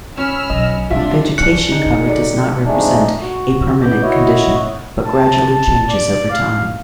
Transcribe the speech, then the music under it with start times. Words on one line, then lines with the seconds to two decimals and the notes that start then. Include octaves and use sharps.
Vegetation cover does not represent a permanent condition but gradually changes over time.
0.18 C#4 B5 E6 F6
0.50 B1 D#5
0.90 C3 G3 D4 F4 E5
1.38 C#4 D4 F#6 C#7
1.72 D#4 G#4 G5
2.07 D3 F#3 G3
2.66 F2 G#3 A3 D4 D#4
3.21 F#4
3.83 E2 B3 D6 G6
4.03 E4 F#4 C#5 D#5
5.06 A5
5.54 A5
5.89 D5
6.31 F5